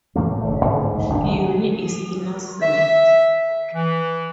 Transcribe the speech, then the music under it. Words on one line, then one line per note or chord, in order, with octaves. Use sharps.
Unni is innocent.
A2 E3 A3 A#3
F#1 D3 A3
G#2 D3 E3 G3
B1 G#2
F1 A#1 D#3 D4
D3 F#3 G#3
E5
E3